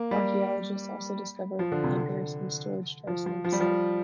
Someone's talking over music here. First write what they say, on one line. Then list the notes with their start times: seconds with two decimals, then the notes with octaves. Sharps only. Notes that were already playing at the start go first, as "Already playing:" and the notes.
Archaeologists also discovered anchors and storage jars near the site.
Already playing: A#3
0.11 G3
1.59 F3
1.72 D3
1.84 C3
1.96 D3
3.07 F3
3.26 F3
3.44 F3
3.52 G3
3.60 F3